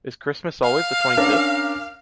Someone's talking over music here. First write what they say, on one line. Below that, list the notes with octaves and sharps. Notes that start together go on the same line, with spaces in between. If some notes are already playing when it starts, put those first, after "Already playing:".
Is Christmas always the twenty fifth?
F5
C#4 D4 A#4